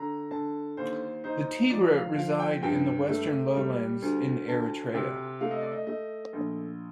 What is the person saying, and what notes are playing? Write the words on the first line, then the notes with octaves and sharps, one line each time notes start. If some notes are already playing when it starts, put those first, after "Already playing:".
The Tigre reside in the western lowlands in Eritrea.
Already playing: D3 A#5
D3 A5
D#2 C5
D#4 C5
F3 D5
F5
F3 F5
G5
G2 G5
A3
G3
D2
D2 A5
C3 G5
A3 F5
D#5
D5
D#5
A3 D#5
A#1